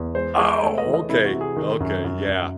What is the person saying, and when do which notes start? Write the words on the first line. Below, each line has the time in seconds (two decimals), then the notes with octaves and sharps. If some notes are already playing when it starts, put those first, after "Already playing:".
Oh, okay, okay, yeah.
Already playing: E2
0.15 G#3 C5
0.39 G#3
0.62 A3 C#5
0.78 D#5
0.86 E3
0.94 D#5
1.09 C3 E4
1.25 F#4
1.33 C3
1.41 G#4
1.56 D#3
1.80 F#2
2.04 F#2
2.28 F#2